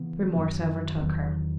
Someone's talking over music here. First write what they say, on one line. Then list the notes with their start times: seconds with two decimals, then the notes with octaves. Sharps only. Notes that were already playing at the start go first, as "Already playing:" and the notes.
Remorse overtook her.
Already playing: C#3 E3 B3
0.36 F#2 D#3 F#3 A#3
1.02 E2 D#3 F#3